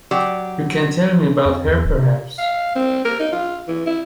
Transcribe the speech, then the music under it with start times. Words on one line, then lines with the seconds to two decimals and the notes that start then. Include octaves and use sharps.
You can tell me about her perhaps?
0.11 F#3 G4 D5
1.45 F2
1.68 E2
1.84 D1
1.98 C3
2.38 F5
2.75 C4
3.05 A#4
3.20 D#4
3.32 F4
3.68 E3
3.86 E4